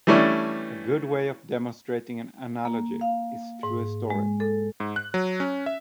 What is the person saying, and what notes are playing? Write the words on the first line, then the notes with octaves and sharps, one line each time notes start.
A good way of demonstrating an analogy is through a story.
E3 G3 A3 C#4 D4
A#3
F5
G#2
G#3
A4
G#2
F#6
F#3
C#4
E5